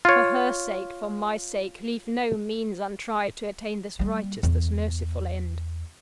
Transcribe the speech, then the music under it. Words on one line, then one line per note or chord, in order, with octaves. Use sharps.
For her sake, for my sake, leave no means untried to attain this righteous, this merciful end.
F4 C#5
G3 A#3
E2